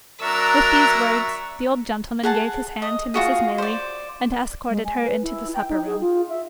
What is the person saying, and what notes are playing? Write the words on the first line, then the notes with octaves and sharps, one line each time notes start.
With these words, the old gentleman gave his hand to Mrs. Maylie, and escorted her into the supper-room.
F#3 D4 A#4 E5 A#5 C#6 E6
G#4 F#5 A5
D#5
F4 F#4 G#4
C5 D5
G#3
G#5
B4
E4
G5
D#4
G#4
F4
E5